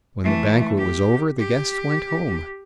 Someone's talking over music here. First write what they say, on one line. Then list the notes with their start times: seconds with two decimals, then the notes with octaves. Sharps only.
When the banquet was over the guests went home.
0.24 E3 A3
0.78 G4
1.39 G4